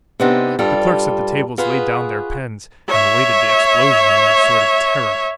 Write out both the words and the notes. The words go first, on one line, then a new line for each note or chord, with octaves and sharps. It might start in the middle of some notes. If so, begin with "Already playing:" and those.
The clerks at the tables laid down their pens, and awaited the explosion in a sort of terror.
C3 B3 C4 D4 D#4
G2 G3 F4 A4
F4 F#4 G#4 B4
C#5 E5